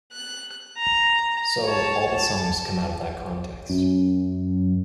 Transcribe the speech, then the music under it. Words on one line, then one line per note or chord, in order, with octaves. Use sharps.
So, all the songs come out of that context.
F#6
A#5
C#5 A5
A5
F#2